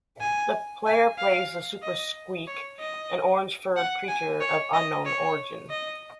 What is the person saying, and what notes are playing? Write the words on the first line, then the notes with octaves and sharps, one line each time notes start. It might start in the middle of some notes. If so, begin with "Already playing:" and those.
The player plays the Super Skweek, an orange-furred creature of unknown origin.
G#5
G#5
F5
D#5
C#5
D#5
F#5
G#5
C#5
D#5
C#5
D#5